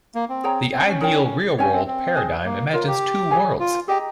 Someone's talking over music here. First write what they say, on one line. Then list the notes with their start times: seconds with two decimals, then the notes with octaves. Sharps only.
The ideal-real-world paradigm imagines two worlds.
0.15 A#3
0.29 C4
0.44 G#4 C#5 G5 A#5
0.72 C4
0.87 C#4
1.01 D#4 A#4 C#5 G5
1.58 C4 C#4 G4 C#5 G#5
1.73 C4
1.87 C4
2.15 G#4 C5 D#5 G#5
2.44 A#3
2.73 F4 A#4 C#5 F5 A#5
2.87 G4
3.31 G#4 C#5 G#5
3.60 F4
3.88 G4 G#4 D#5 G5 A#5